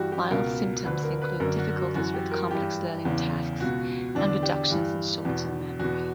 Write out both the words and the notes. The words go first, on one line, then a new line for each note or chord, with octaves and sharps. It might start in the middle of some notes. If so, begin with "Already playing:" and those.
Mild symptoms include difficulties with complex learning tasks and reductions in short-term memory.
Already playing: G2 E3 F#4 G4
G4
C#2 B2 A#4
D2 D3 B4
A#4
B4
F#2 A#4
D3
F#4
F#4
F#2 E3 F#4
G4
A#4
G2 E3 G4
E2 C#3 E3
C#2 B2 F#4
E2 D3 D4
G4
G2 E3
E2 B2
E2 B2 F#4